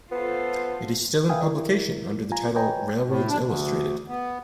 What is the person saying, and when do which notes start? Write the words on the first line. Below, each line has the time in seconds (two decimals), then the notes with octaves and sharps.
It is still in publication under the title "Railroads Illustrated".
0.12 B3 F4 A4 C5
1.29 B4 E5 F5 G5 G#5 D#6
1.41 E4 A#4 D5
2.32 F4 G#5 A#5
2.55 B4 C#5 D#5 G5 G#5 A#5
3.07 A2
3.29 D4
3.42 D2
4.08 B3